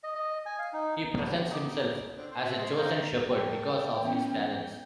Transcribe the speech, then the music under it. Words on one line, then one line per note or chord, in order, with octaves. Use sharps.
He presents himself as a chosen shepherd because of his talents.
D#5
D#5
G#5
F5
D#4
B2 A3 B3 G4 C#5
D#4 D6
D3 C4
C5
F#4 E5
G#3 C5
F5 G5 A#5
A#4 G5 A5
E3 B3 C#4
G6